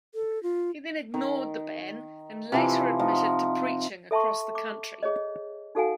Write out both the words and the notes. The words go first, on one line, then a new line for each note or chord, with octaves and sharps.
He then ignored the ban, and later admitted to preaching across the country.
A4
F4
D#3
C3 E3 F3
F3 D#4 F#5
A4 E5 A5 C6 C#6
D6
G#4 C#5 D#5
D#4 F#4 A4 F5 F#5 G#5